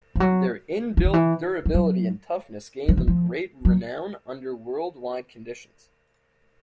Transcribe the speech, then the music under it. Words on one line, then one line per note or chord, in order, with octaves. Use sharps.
Their inbuilt durability and toughness gained them great renown under worldwide conditions.
F3
F#3
E3
D#3
E3
F3
F#3
F3
E3
F3
F#3